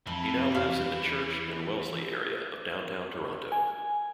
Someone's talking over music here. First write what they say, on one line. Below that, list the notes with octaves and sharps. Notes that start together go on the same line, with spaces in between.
He now lives in the Church and Wellesley area of downtown Toronto.
F2 E3
E2 F5
G#5